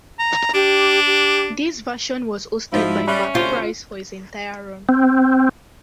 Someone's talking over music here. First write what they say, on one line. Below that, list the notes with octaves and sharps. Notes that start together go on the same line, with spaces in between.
This version was hosted by Marc Price for its entire run.
A#5
D4 G4
G4
G#2 F3 D#4 E4 F#4
G3 C#4 E5 B5 F#6
D2 C3 F4 C5
C4